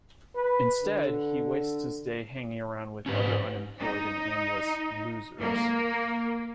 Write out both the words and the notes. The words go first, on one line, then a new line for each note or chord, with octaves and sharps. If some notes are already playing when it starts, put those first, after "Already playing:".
Instead, he wastes his day hanging around with other unemployed and aimless "losers".
B4
D3
G#2 C#4 G4 B4
D#4
A#3